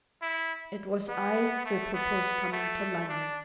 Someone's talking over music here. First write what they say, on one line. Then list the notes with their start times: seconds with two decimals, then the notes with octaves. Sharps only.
It was I who proposed coming to London.
0.22 E4
1.09 B3
1.65 A3
1.94 B3
2.53 A3
3.09 D4